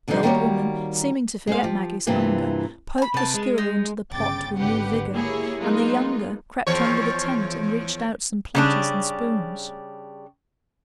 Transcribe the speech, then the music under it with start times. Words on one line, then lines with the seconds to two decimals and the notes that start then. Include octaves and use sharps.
The old woman, seeming to forget Maggie's hunger, poked the skewer into the pot with new vigor, and the younger crept under the tent and reached out some platters and spoons.
0.08 B2 D3 E3 F3 D#4 C5
0.23 D#3 G3 A#3 F#4 G4 C#5
1.47 G#3 G#4 C5 F5
1.63 F3 G4
2.07 G2 C3 E3 A#3 F4
2.98 G#5 B5
3.14 C3 C4 B4 A5
3.34 G#3
3.58 D#4
4.13 G1 C#3 G5 D6 A6
4.57 G#1 D3 G4 B4 F#5
5.13 A#3 E4 G4 G#4 C#5
5.60 F#3 G#3 A#3 B3 D#4 F4
6.67 E2 F3 C#5
8.55 C#3 G3 D4